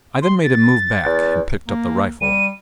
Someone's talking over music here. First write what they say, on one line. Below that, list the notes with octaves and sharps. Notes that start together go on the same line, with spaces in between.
I then made him move back, and picked up the rifle.
C6
A6
E2
A#3
G3 D#7